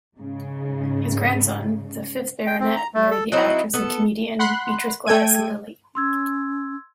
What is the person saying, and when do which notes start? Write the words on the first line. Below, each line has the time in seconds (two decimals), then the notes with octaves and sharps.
His grandson, the fifth Baronet, married the actress and comedian Beatrice Gladys Lillie.
0.17 G#2 C#3
2.47 G5
2.60 C4
2.76 A#5
2.94 A3
3.11 A4
3.32 F#3 C4 D#4 E4
3.74 B3 A4
4.39 F#5 B5 C6 F#6
5.06 A3 A4 G5 G#6 D#7
5.95 C#4 C6 E6 G#6